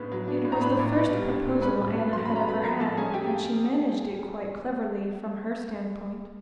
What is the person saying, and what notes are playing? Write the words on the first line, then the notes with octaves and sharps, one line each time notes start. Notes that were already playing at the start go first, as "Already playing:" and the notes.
It was the first proposal Anna had ever had, and she managed it quite cleverly, from her standpoint.
Already playing: A2 C#3 B3 D4
F#3
D4
A2
A#5
D4 B4 B5
A#2
B3
G3
D4
A#2
C#4 B4 B5
B2
A#3
F#3 C6
C#4 B5
A#5
B2 B4 B5
F3 A#4 A#5
F3 A4 A5
C#4 G#4 G#5
A3 G4 G5